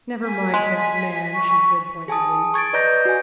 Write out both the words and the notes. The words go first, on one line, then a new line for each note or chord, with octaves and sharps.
"Never mind that man," she said pointedly.
G#5 B6
G#3
C#6
G#4 G#5 A5 D#6
C#6 G#6 A6 D7
B4 D5 D#5 A#5 G6 A#6
F#4 G#5